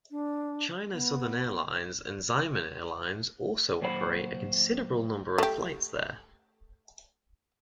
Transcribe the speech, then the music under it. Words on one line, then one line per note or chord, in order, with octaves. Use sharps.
China Southern Airlines and Xiamen Airlines also operate a considerable number of flights there.
D4
B3
A#2 D#3 F#3 C5 F#5 B5
A3 G4